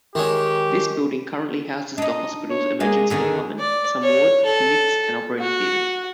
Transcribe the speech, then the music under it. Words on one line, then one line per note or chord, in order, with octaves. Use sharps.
This building currently houses the hospital's emergency department, some wards, clinics and operating theatres.
D#3 G#3 C#4 G4 A#4
D4 D#4 D#5
C#5
G#3 A#3 G#4
D#2 D3 D#3 G#4
D5
C#5
A4
F#4